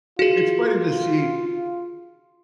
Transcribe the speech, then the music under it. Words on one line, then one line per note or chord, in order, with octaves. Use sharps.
it's funny to see
F4 F#4 G#4